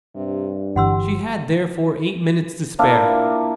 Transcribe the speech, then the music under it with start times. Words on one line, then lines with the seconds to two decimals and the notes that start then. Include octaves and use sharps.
She had, therefore, eight minutes to spare.
0.15 G2 C3
0.76 G1 E3 G4 F#5 C6 E6
2.79 A#3 D4 E4 F4